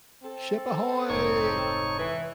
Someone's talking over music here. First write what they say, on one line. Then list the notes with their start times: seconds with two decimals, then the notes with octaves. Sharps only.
Ship Ahoy!
0.24 C4 A4
1.09 F1 G#2 D#4 C#5 C#6
1.98 E3